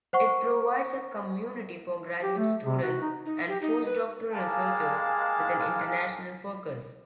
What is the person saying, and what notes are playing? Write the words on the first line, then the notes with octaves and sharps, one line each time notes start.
It provides a community for graduate students and postdoctoral researchers, with an international focus.
C5 F#5 C#6
G4
A3
C3
F#4
D#4
D#4
G4
D#4
B4
G3 G#3 A#3 F5 A5